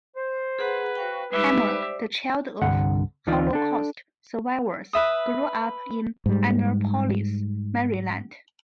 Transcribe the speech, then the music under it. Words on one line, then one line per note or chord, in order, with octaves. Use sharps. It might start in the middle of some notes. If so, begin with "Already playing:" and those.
Hammer, the child of Holocaust survivors, grew up in Annapolis, Maryland.
C5
G#4 B4 F#5 A#5
F#4 C5 F5 G5
G3 G#3 D#4 G4 B4 E5
C5 D5
C2 G2 D3 F#5
D2 E3 D#4 F4 D5
D4 A4
B4 E5 D#6
G#2 G3